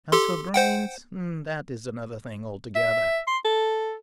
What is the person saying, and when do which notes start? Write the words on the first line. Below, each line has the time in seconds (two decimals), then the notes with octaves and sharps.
As for brains, that is another thing altogether.
0.12 G4 A4 C6
0.54 C5 F#5 G5
2.75 E5
3.27 C6
3.45 A4